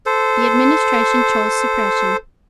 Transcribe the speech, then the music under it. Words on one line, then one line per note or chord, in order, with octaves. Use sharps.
The Administration chose suppression.
A4 C5